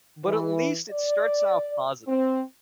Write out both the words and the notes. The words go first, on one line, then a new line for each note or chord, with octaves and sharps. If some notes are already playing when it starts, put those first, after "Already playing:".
But at least it starts off positive.
E3
D5
C4